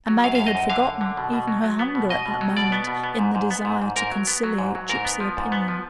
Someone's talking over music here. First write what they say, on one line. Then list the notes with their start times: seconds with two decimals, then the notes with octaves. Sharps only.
And Maggie had forgotten even her hunger at that moment in the desire to conciliate gypsy opinion.
0.08 F#3
0.24 F#2 F5
0.35 F#2 F5
0.47 D#5
0.55 F#2
0.70 D3 F5
0.85 F#2
1.01 D3
1.17 B2
1.33 B2
1.48 F#3
1.64 F#3
1.79 B3
1.95 B2
2.09 B2 D#5
2.26 B2
2.41 F#3
2.57 B2 D5
2.72 B3
2.87 B2
3.04 B3
3.19 G#2
3.35 G#2
3.51 B3
3.65 G#2
3.82 G#2
3.96 G#2 A#4
4.12 F#3
4.27 B3
4.43 F#3
4.58 G#2
4.75 F#3
4.89 G#2 A#4
5.05 B3
5.20 F3
5.37 G#2
5.52 B3
5.68 F3